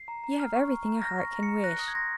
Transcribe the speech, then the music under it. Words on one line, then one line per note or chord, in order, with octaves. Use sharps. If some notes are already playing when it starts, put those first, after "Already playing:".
You have everything a heart can wish.
Already playing: C7
A#5
A#5
F6
C#6
A#5
A#5
F6 A#6
C#6
A#5
C#7
A#5
F#6 A#6
D#6
G#6
C6 A#6